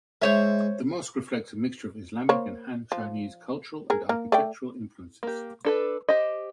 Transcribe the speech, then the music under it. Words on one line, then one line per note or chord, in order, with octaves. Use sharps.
The mosque reflects a mixture of Islamic and Han Chinese cultural and architectural influences.
G#3 C5 C#5 E5
A#3 C5 C#5
F3
G#4 A#4
A#3 A#4
A3 D5 G5
A#3 G4
D4 A4 B4
G4 C5 D#5